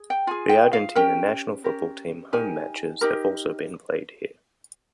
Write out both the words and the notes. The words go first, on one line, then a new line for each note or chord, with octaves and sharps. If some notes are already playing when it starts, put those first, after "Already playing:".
The Argentina national football team home matches have also been played here.
Already playing: G#4
G5
F4 G#4 G#5
G5
F5
C#4 G4 A#4 G5
C#4 G4 A#4
D#4 G4 A#4 G#5
D#4 G4 A#4